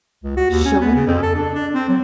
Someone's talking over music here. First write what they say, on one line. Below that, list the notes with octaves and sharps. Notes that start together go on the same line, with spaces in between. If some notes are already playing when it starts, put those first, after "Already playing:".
showing them.
C#2
F#4
D#2
C#4
B3
C#3
F2
A4
D4
D4
C4
F#3